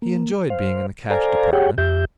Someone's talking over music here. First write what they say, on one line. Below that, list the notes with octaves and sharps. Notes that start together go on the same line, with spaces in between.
He enjoyed being in the Cash Department.
A#3
C5 F5
A4 C5 D5 F5 G#5 A#5
G4 G#4 C#5 F#5 G5
F2 G4 E5 G6